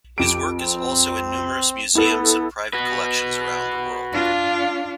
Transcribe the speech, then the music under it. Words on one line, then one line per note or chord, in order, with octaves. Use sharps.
His work is also in numerous museums and private collections around the world.
F2 G4 D7
C4
B3 E4 A4
F#4 B4
D4 F4